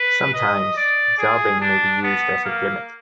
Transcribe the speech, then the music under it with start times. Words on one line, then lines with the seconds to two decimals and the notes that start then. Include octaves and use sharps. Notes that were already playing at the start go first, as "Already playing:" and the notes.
Sometimes, jobbing may be used as a gimmick.
Already playing: B4
0.34 D#5
0.76 D5
1.18 G#4
1.61 D4
2.03 B3
2.45 A#3